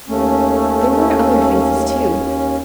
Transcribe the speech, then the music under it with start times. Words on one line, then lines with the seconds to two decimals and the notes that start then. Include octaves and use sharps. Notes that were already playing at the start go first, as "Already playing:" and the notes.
There were other phases, too.
0.08 D#2 A3 C#4